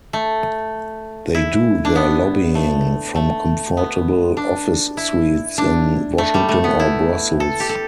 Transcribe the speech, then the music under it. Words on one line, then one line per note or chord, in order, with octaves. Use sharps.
They do their lobbying from comfortable office suites in Washington or Brussels.
A3
E4
D4
B3
A3
A3
B3
D4
E4
D4
A3
G3
A3
B3
E4
A4
G4
A4